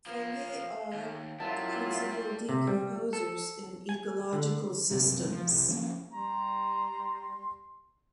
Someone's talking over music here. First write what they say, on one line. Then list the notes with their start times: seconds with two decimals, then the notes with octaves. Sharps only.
Fungi are the principal decomposers in ecological systems.
0.07 F3 A#3 F5
0.93 D#2
1.40 F#2 F#3 G3 E4 F4 A5
2.49 C3
2.67 G3
3.13 A4
3.89 G#5
4.33 D3
4.91 B1 F#2 C3 F#3
5.27 F3 G#3
5.47 C2
5.69 F3 A#3 C#4
6.13 G3 A#5 C6